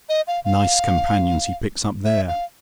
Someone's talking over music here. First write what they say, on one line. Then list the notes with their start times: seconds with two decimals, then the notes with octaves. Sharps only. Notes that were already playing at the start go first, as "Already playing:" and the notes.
Nice companions he picks up there!
0.09 D#5
0.27 F5
0.45 F5
2.05 E5
2.28 F5